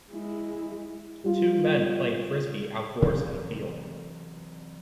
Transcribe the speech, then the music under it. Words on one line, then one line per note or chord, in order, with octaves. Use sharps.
Two men playing frisbee outdoors in a field.
G#3 E4
G3 F4
C3 E3 F#3 C4